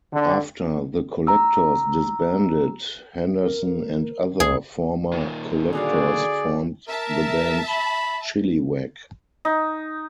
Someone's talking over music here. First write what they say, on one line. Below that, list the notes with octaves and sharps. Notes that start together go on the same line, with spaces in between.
After The Collectors disbanded, Henderson and other former Collectors formed the band Chilliwack.
D3
A#5 E6
A#4
C#2 G#4
A#2 D#3
D3 F#4 G#4 D5 F5
A#4 E5 A5
B5
D#4